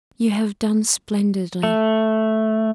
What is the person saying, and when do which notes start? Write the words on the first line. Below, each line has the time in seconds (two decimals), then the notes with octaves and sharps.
"You have done splendidly."
1.63 A3